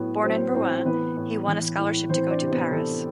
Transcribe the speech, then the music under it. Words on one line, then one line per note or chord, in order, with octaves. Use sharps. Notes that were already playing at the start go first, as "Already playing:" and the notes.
Born in Rouen, he won a scholarship to go to Paris.
Already playing: A2 F#3 B3 B4
F#3 C4 C5
A2 C4 C5
E3 B3 B4
A2
E3
A2
E3 C4 C5
D4 D5
C3
C5
B3 B4
E3 A4